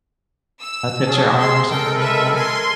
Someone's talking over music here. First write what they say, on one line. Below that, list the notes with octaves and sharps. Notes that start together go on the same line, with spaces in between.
touch your arm or something like that,
E6
C#4 G#4 A5
G#3 G#4 C6 E6
G#3 A4 A#4 G5
B4 E5
G#5 C6